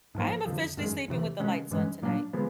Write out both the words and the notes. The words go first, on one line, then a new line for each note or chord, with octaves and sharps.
I am officially sleeping with the lights on tonight.
G#2 F3 A#3
F2 D3 F3
F#2 D#3 G#3
E2 C3 E3
C3 D#3 G#3 C#4
G2 E3 G#3 C#4
A#2 F#3 A#3 D4
D3 F3 G#3 B3